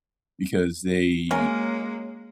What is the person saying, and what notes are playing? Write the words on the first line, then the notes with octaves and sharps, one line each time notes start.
because they
F#3 G#3 A#3 C#4 A#4